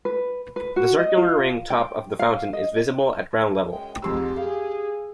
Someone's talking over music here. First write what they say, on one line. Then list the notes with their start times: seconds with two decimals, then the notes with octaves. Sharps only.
The circular ring top of the fountain is visible at ground level.
0.05 B4
0.56 B4
0.76 F#4
0.99 D#5
1.17 F4
1.70 G5
2.19 F5
2.53 D#5
3.71 F#2 G#3 G5
4.02 F2 G#2 G4 C6 E6
4.37 G#4 F5